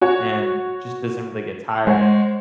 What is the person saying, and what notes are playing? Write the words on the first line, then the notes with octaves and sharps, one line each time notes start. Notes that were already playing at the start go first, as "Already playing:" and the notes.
and it just doesn't really get tiring.
F#4 C#5
G#3 C5 C#5 F#5